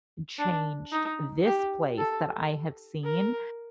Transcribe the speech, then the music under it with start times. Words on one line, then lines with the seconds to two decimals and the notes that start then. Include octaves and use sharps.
changed this place that I have seen.
0.38 D4
0.92 D#4
1.45 G4
1.98 A4
3.04 A#4